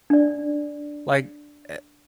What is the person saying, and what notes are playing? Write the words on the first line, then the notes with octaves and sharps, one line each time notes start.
like, a
D4 D5